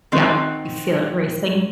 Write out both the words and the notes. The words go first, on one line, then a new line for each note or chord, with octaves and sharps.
Yep. You feel it racing?
D#3 C4 F#4